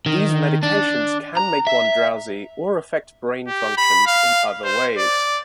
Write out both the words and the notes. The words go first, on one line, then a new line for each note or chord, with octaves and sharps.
These medications can make one drowsy or affect brain functions in other ways.
D#3
D4
A#5
E5
G4
B5
F5
C5
D5